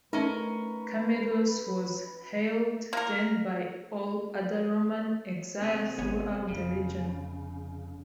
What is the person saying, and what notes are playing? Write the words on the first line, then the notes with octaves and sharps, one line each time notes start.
Camillus was hailed then by all other Roman exiles throughout the region.
A3 C#4 D#4 A#4 B4
A#3 A#4
C2 G3 A#3 C4 G#4
G#1 B3 C#5
F1 F2 C#3